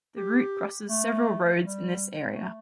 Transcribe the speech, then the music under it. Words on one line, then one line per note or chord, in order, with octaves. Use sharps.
The route crosses several roads in this area.
G4
A3
G3
A3